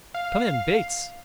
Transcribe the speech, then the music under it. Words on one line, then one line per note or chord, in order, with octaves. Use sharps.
Come in, Bates.
F5